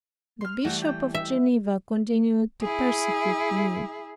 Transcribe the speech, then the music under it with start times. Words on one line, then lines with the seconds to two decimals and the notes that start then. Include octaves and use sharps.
The Bishop of Geneva continued to persecute me.
0.41 C6 F6
0.65 E3 G3 A3 F#4 G5
0.82 G5
1.14 E5
2.62 E4 G#4